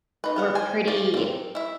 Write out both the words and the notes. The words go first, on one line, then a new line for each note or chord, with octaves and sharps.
we're pretty
D#4 B4
B3 F5 F#5
C5 G5 G#5
F4 D5
A#3 C4
E4 E5